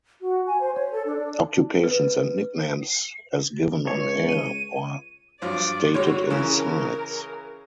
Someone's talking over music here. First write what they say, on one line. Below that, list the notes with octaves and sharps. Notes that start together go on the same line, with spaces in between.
Occupations and nicknames as given on air or stated in cites.
F#4
G#5
C5
C#5
A4
D4
B4
C#2 C#5
D#7
G2 F3 F#3 D5
D3 G3 F#4 C#5
C#3 E3 C#4 A#4